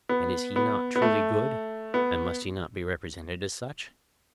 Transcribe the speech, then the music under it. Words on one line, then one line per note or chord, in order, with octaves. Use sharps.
And is he not truly good? and must he not be represented as such?
B3
B3
B3
A3
B3